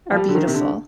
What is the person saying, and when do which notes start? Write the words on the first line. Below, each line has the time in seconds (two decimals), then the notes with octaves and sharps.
are beautiful.
0.12 F3
0.17 G3
0.28 D3
0.35 D#3
0.47 C3
0.54 D3